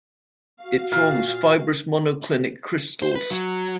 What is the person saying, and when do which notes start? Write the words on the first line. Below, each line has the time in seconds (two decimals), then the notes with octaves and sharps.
It forms fibrous monoclinic crystals.
0.60 F#4 F5
0.92 A#2
3.02 C5
3.15 B4
3.30 F#3